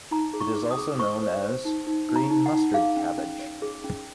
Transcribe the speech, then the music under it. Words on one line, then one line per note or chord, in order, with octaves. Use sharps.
It is also known as "green mustard cabbage".
D#4 A#5
G#4
C#6
G#4
D#6
G#4
C5 C#6
C5
C5
D#4
D#4
D#4
A#5
D#4
F#5
D#4
G#4 F5
C#4
C#4
C#5
G#4
C#4